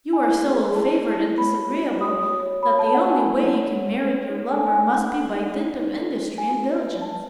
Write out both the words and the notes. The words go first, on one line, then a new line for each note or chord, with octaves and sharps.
You are so ill-favored and disagreeable that the only way you can merit your lover must be by dint of industry and diligence.
E4 G#5
G#4
G#4
E4 A5
E4
E4
C#5 B5
F#4
F#4
C#5 D#6
F#4
C#5
C#5 B5
A5
A4
F#5
A4 G#5
E4
C#5
A4
A4
C#5
D#4
A4 G#5
G#5
D#4
G#5
D#4 F#5
A4
D#4
D#4
D#4
A4
A4
F#4 G#5
B4
B4
B4 A5